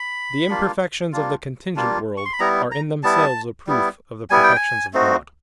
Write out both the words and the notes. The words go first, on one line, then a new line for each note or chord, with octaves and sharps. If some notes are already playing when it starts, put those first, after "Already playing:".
The imperfections of the contingent world are in themselves a proof of the perfections of God.
Already playing: B5
G3 A#3 D4 F4
G3 A#3 D4 F4
G3 A#3 D4 F4
C#6
C6
B5
G3 B3 E4 A#5
A#5
G3 B3 E4 A5
G3 B3 E4
G3 B3 E4 G#5
G5
G#5
A3 C4 D#4 F#4